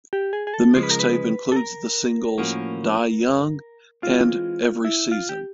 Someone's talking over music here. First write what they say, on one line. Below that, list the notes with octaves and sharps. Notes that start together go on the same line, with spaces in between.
The mixtape includes the singles "Die Young" and "Every Season".
G4
G#4
G#4
A4
C#3 F3 G#3 C5
B4
A#4
B4
A4
A#4
A2 F3 A#3 C#4 F#4
E3 G#3 C4 F4
E4
F4
G4